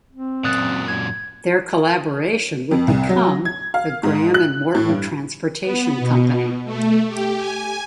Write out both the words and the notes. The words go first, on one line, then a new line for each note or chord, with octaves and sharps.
Their collaboration would become the Graham and Morton Transportation Company.
C4
F#2 A#2 D#6 F#6 A6
G#6
F2
C2
F#3
G#6
F5
G#2
F#6
A2
G2
B3
B2
A3
G4
G#5